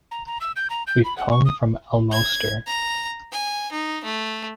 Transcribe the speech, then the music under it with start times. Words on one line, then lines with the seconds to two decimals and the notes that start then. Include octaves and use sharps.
We come from Almoster.
0.11 A#5
0.27 A#5
0.41 E6
0.56 G6
0.70 A#5
0.87 G6
1.04 B5
1.17 F#5
1.30 C#6
1.45 D#6
2.12 G#6
2.67 A#5
3.32 G#5
3.72 D#4
4.04 A3